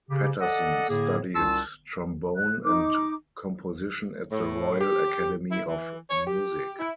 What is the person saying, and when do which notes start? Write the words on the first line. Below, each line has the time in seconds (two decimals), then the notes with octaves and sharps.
Patterson studied trombone and composition at the Royal Academy of Music.
0.09 C#3 G4
0.40 A4 D5 D#5 F#5
0.89 A2 D3 A#3 G#4
1.34 C2 C#4 F4 A5 E6
2.36 F#6
2.64 D#4 D6
4.30 A2
4.80 G4
5.50 E4
5.66 E3
6.09 C#5
6.27 G4
6.79 E4